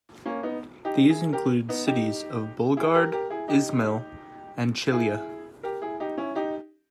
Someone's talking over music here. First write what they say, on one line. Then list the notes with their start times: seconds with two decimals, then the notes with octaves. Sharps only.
These included the cities of Bolgrad, Ismail and Chilia.
0.25 A#3 C#4
0.43 B3 D#4
0.85 D#4 G4
1.09 E4 G#4
1.33 G4 A#4
1.69 B3 D#4
1.87 D#4 G4
2.77 E4 G#4
2.94 G4 A#4
3.12 G4 A#4
3.30 E4 G#4
3.48 D#4 G4
4.92 E4 G#4
5.63 G4 A#4
5.82 E4 G#4
6.00 D#4 G4
6.18 C#4 E4
6.35 D#4 G4